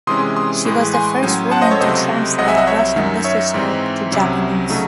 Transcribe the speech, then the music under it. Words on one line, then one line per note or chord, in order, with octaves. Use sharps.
She was the first woman to translate Russian literature to Japanese.
C3 E3 G#3 C#4 C6 D#6
C6 D#6
A2 E3 G#3
G#5 C6
A2 F#3 C#4
F#5 A5
C5 D#5
A4 C#5
C#2 C3 F#3 A3 C5 D#5
C2 C3 F#3 D#5 F#5
E5 G#5
D#5 F#5
C#5 E5
F#2 D#3 F#3
C#5 E5
G#2 E3 C4 D#4
C2 C3 F#3 C#4
C#3 F#3 A3 D#4